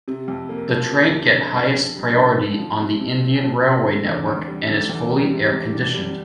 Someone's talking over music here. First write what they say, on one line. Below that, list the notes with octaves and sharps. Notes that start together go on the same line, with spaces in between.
The train get highest priority on the Indian railway network and is fully air-conditioned.
C3
F2
A#3
F3
C3
F2
D3
F2
F2
G3
D3
F2
F3
C3
C3
C4
F3
C3
D3
E2
E2
G3
D3
E2
G3
C3
C3
D4
G3